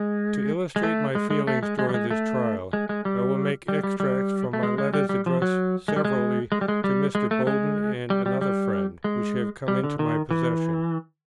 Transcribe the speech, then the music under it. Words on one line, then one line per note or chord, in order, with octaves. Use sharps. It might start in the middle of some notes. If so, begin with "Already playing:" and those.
To illustrate my feelings during this trial, I will make extracts from my letters addressed severally to Mr. Bowden and another friend, which have come into my possession.
Already playing: G#3
G#3
A3
G#3
G#3
A3
G#3
G#3
G3
G#3
A3
G#3
G#3
G3
G3
G3
G3
A3
G#3
G#3
G3
G3
F3
F#3
G#3
G3
G#3
G#3
G3
G#3
G3
G#3
A3
G#3
G3
G3
G3
G#3
G3
D3
D#3
E3